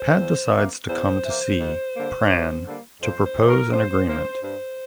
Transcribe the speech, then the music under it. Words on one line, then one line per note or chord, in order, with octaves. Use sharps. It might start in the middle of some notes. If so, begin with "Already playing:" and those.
Pat decides to come to see Pran to propose an agreement.
Already playing: C5
E2
E3 A#3
E2 C5
E3 A#3
F2
D3 G3 A#3
F2
D3 G3 A#3
F2 C5
C5
E3 A#3
A#4
F2 C5
E3 A#3 C5
G2 C5